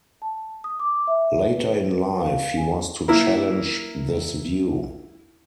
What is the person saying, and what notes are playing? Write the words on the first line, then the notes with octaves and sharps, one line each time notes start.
Later in life, he was to challenge this view.
A5
D#6
D6
E5
B4
F5
G#5
A#3 E4 A#4